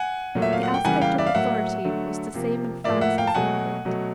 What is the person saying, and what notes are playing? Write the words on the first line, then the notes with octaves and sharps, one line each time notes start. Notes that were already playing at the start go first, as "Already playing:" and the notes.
The aspect of authority was the same in France as in England.
Already playing: F#5 G#5
A#2 F#3 A3
E5
F5
F#5
G5
C#3 E3 G3 A#3 F#5 G#5
F5 G5
D5 E5
F5
A2 F#3 A#3 E5 F#5
D3 F#3 A3
C3 F3 A#3
A2 F3 A#3 D5 E5
E5 F#5
F5 G5
A5
B2 F#3 A3 F#5 G#5
B2 F#3 A3